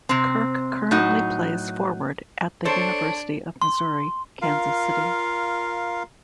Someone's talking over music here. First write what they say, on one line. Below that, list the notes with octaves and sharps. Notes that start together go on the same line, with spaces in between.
Kirk currently plays forward at the University of Missouri-Kansas City.
C3 C4
A2 F#3 D#4 F#4
D4 A4 C5 C#5
C6
F4 A#4 F5